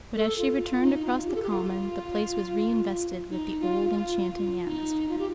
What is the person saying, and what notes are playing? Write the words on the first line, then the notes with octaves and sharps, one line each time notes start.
But as she returned across the common, the place was reinvested with the old enchanting atmosphere.
A4
F4
F4
D#4
F4
G4
A4
G4
F4
D#4
F4
F4
F4
D#4
F4
G4